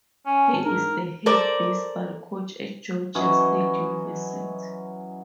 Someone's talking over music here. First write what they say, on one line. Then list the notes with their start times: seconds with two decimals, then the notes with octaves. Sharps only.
He is the head baseball coach at Georgia State University.
0.26 C#4 G#5
0.53 G#1 A5
0.65 G#2 D4 A#4
1.26 A4 A#4 C5 D5
3.15 E3 F#3 C#4 D#5